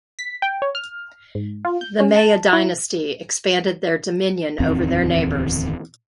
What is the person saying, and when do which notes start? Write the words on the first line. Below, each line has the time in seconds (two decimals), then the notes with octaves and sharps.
The Maya dynasty expanded their dominion over their neighbors.
0.19 B6
0.42 G5
0.62 C#5
0.75 F6
1.35 G#2
1.65 F4
1.81 G6
2.00 C#4
2.16 A5
2.53 E4
4.60 D1 E2 D#3 C4